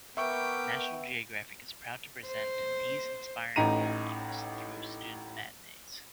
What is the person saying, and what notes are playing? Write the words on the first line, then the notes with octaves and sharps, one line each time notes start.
National Geographic is proud to present these inspiring role models through student matinees.
B3 A#4 B4 E5 G5 C#6 D6
C5
A1 A2 D#4 A#5 D#7